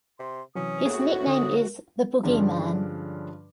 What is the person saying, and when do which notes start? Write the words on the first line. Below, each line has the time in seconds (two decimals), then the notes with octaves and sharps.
His nickname is the "Boogie-man".
0.19 C3 C6
0.55 C3 E3 F#3 C#4 D#6
0.85 A2 A#3 F#4 G#4 C#5
1.27 D3 D#6
2.23 G2 D3 F3 G#3 C#4 D4